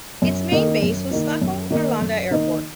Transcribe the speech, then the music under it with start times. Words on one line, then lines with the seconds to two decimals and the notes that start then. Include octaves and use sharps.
Its main base was Stockholm-Arlanda Airport.
0.22 F#2
0.52 D#3 A#3 D#4
0.82 F#2
1.11 D#3 A#3 D#4
1.41 F#2
1.71 D#3 A#3 D#4
2.01 F#2
2.31 D#3 A#3 D#4